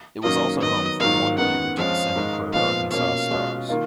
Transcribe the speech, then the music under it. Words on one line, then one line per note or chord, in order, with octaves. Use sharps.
It was also home for one year to the semi-pro Arkansas Stars.
F#2 D#3 F#3 A#3 D#5
D#3 F#3 B3 D#5
G#2 D#3 F#3 A#3 F4 F5
F#2 D#3 G#3 B3 F#5
F2 F3 G#3 C#4 F5
G#2 D#3 G#3 D#4
A#2 F3 G#3 B3 F4 F5
B2 A#3 C#4 F4 F5
B2 G#3 C#4 F4
D#3 A#3 F4